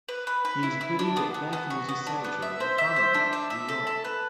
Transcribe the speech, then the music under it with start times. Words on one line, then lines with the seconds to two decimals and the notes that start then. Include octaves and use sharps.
He is buried at Beth Moses Cemetery in Farmingdale, New York.
0.09 B4
0.27 B4
0.45 B4
0.63 E4
0.81 E4
0.99 D4
1.17 B3
1.34 B3
1.53 B3
1.70 F#4
1.89 B3
2.07 D4
2.24 B3
2.42 E5
2.60 C5
2.78 E5
2.96 C5
3.14 D4
3.33 E5
3.50 E5
3.69 A4
3.87 A5
4.05 B4